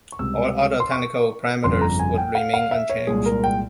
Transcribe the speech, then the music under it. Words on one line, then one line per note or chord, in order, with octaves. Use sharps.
All other technical parameters would remain unchanged.
C#6
C#2 C3 G3 E6
C6
C#6
G1 F2 C#3 C6
A#5
G#5
G5
F5
F5
E5
C#5
C2 A#2 G#3 G#4
A#4
G5